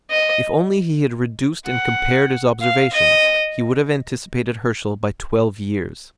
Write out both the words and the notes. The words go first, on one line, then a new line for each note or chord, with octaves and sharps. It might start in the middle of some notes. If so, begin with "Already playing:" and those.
If only he had reduced and compared his observations, he would have anticipated Herschel by twelve years.
D#5
F#5
F5
D#5